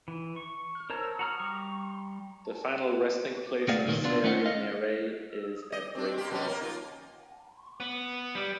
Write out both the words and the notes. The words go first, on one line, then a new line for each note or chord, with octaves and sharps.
The final resting place of Sarie Marais is at Greytown.
E3
C#6
A#4 C5 C#5 A5 A#5
F#4 A#5 F6
G3 A#5 C#6
A3 A#3 G#4 D5 F5 F#5
C2 A#2 D#3 A#3
B3 D4 F4
A3 C#4 D#4 C5 F5 F#5
D#5 F5
D#5
C4 D4
A#3 G4
B2 G3 C#4
A#3 A#4
D#4 F4
B3
G3